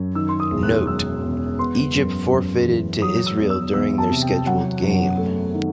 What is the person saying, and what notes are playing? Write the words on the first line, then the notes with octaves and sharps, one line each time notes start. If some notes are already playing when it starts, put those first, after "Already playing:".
"Note:" Egypt forfeited to Israel during their scheduled game.
Already playing: F#2
D#3 E6
C6
D#6
E1
F#6
F#3 E6
E2
B3 C6
F#2
F#2
E3
F#3 D#6
E6
E2
E6
E2 E6
A5
C3
G5
F#3 F#5
F#2
A3
D#3